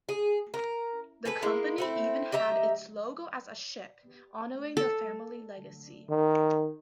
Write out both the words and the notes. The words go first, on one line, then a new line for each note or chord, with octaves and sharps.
The company even had its logo as a ship, honouring their family legacy.
G#4
A#4
G#4 A4 B4
G#3 A#3 E4
A3 C4 E4
G4 D#5 E5 A#5
A4
D#3